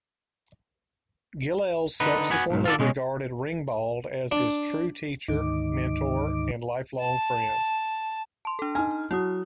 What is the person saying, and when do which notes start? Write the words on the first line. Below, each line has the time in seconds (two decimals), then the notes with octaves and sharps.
Gilels subsequently regarded Reingbald as his true teacher, mentor and lifelong friend.
2.00 D3 D#4 B4
2.30 B3 F#4 G#5
2.50 B1 G#2
2.65 F4 A4 D5
2.79 B2 G#3 C#4
4.32 D4
5.28 D2 G#2 D#3 D#4 D6
6.99 A5
8.45 A5 C6
8.59 D4 A4
8.75 D#4 G#5 F6
9.11 F#3 E4 F#4 D#6